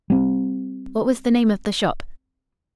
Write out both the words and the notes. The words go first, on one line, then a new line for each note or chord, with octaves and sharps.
"What was the name of the shop?"
G3 C4